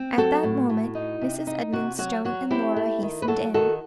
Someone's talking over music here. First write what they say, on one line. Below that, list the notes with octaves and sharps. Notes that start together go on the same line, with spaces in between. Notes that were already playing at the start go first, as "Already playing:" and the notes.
At that moment Mrs. Edmonstone and Laura hastened in.
Already playing: C4
F#3 F#4 A4
A2
A2
D#4
C3
D#4
C3 F#4
F#3 F#4
F#3 F#4
C4 E4 G4
A3
D#3
B4
F#3 F#4 A4
D#3 F#4 A4